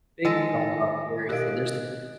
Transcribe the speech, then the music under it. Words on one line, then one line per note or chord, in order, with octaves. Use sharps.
big film buff here, so, there's
D#3 G#3 A4 A6 A#6
B2 G4 A#4 D#5 F5 F#6 D7